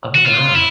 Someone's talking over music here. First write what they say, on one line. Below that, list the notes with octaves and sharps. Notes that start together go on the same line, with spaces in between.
Oh wow.
F#4
F4
E4